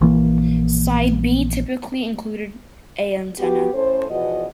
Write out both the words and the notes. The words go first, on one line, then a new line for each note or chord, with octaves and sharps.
Side B typically included a antenna.
A#1 E3 A#3
B3 F#4 G4
A2 C#4 A4 C5
E2 B2 F3 B3 F#4 D#5